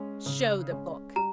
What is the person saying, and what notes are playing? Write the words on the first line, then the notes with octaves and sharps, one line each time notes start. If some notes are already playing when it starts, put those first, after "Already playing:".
"Show the book."
Already playing: G#3 C#4
C#3
G#3 C#4
G3 A#5